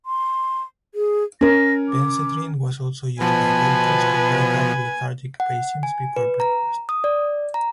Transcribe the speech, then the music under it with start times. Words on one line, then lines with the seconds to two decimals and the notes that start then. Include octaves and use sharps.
Benzedrine was also used by doctors to perk up lethargic patients before breakfast.
0.06 C6
0.95 G#4
1.41 C#4 A#4 A#6
1.89 D6
3.21 B2 F3 B4 G#5 A5
5.40 F#5
5.83 G#5
6.16 B4
6.40 A#5
6.89 D#6
7.04 D5
7.54 A#5